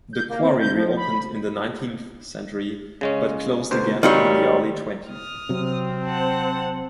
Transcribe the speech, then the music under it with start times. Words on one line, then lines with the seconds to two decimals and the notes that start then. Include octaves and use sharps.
The quarry reopened in the nineteenth century but closed again in the early twentieth.
0.13 G6
0.29 A#3
0.42 C4
0.60 G6
0.75 F3
0.97 B5
3.01 C#3 G#3 C#4
3.71 D2 B2 C5
4.03 G#1 D#2 D#3 F#3 G3 F5
5.11 D#6 F6
5.49 C3 F#3 C4
6.05 C5 F#5 A5